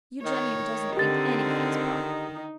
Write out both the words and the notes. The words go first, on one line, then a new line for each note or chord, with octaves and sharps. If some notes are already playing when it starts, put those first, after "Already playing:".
"Eugenio doesn't think anything's proper."
D#3 C#5
D3 C4 G4 A6
D#4